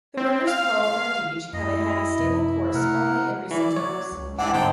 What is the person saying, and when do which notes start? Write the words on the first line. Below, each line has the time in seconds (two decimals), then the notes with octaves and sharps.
The rivers Po and Adige have had a stable course only in recent times.
0.17 C4
0.47 F5
0.83 F5
1.53 F#2 E4 D#5
2.19 F#2 C3 F3
2.74 C3 A3 A#4 F#5
3.51 E3 E4 D5
3.76 F#3 C#5
4.12 C#2
4.39 G#2 E3 D4 G4 F#5
4.53 G1 C4 D#4 A4 C5 G5